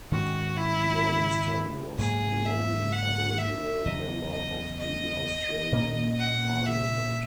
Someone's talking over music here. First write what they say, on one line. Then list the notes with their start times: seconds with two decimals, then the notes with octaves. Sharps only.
During his term he was the only Aboriginal member of the Australian Parliament.
0.12 G#2 D#3 G#3 C#4 F#4
0.57 E4
1.98 G#2 F#3 A#3 G#4
2.45 E5
2.92 F#5
3.38 E5
3.85 E2 C#3 F#3 D#5
4.32 D#5
4.79 D#5
5.72 A#2 A#3 C#4
6.19 F#5
6.66 E5